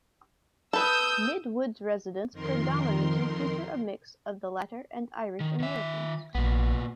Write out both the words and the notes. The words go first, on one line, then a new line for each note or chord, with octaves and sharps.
Midwood's residents predominately feature a mix of the latter and Irish Americans.
A4 B4 D#6 E6 G6
F2 D#3 A#4 C6
D#3
D#3 E5
A#1 A#2 B3